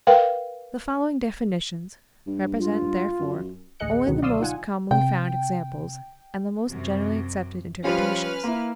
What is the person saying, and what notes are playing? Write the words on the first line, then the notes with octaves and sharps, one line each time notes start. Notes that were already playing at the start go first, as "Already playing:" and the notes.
The following definitions represent therefore only the most commonly found examples and the most generally accepted interpretations.
A#4 B4 F5 G5
G2
F4
F#2
A1 D2 G#4 D#5 F#6 C#7
C#2 B2 D3 D#3 F#3 B3
D5 F5 C6 D#6 E6
D#4 F4 F#5 G#5
C3 G5
F#2 C3
F3 G3 C#4 F4 B4 F6
A#3 E4